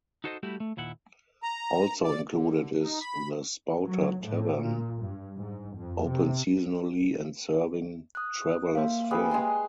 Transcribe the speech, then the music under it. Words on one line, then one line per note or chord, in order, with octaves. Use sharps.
Also included is The Spouter Tavern, open seasonally and serving "travelers' fare".
D#4 F#4 A4 C5 D5 D#5
G3 A3 E4 F#4 G4
A3
D#2 A#2 E4 F#5
A#5
D5
D3
D#4
B5
F#3
A2
A#2
G2
G#2
F2
C3
D#6 F#6
A#3 F5
G3 G#4 B4
G#3 C6